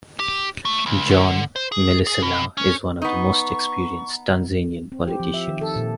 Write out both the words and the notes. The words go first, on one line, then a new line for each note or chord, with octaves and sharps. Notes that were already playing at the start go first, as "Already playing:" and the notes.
John Malecela is one of the most experienced Tanzanian politicians.
G4
A3
C#2
D3
C5
G#4
G#4
B2
C#4
B3 D#4 C#6
C4
G4
F3
E5
D#3
A4
A#2